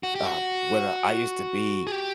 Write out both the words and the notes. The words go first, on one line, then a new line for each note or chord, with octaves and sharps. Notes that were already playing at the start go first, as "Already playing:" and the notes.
um, when I used to be
F#4
G4
F#4
G#4
G4